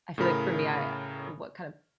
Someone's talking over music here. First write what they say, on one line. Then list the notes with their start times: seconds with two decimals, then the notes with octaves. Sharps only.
I feel like for me, I what kind of m
0.18 A2 C#3 A#4 B5